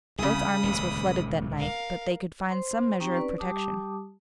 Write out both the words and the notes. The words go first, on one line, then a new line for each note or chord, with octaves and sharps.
Both armies were flooded that night, but they could find some measure of protection.
C2 C#3 G#4 B5 D#6
D#1 C#2 C3
A#4 F5
C5 C6
C4 D#4 G4 G5 A#5 C#6
C#4 B4 D5
G3 G4 A5 D6 D#6